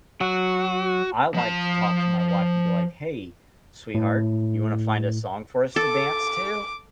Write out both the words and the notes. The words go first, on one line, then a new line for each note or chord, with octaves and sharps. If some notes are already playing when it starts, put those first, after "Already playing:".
I like to talk to my wife and be like, "Hey, sweetheart, you wanna find a song for us to dance to?"
F#3 F#4
F3 A5
A2
A4 D6